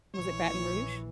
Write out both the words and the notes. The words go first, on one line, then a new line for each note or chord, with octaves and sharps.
Was it Baton Rouge?
A#1 E3 C#5